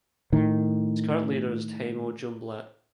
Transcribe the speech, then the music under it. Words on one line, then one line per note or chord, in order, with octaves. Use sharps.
Its current leader is Taymur Jumblatt.
A2 D#3